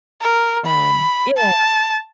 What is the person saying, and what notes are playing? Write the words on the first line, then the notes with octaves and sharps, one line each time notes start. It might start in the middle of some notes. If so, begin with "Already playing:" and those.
Um, yeah.
A#4
B5
A5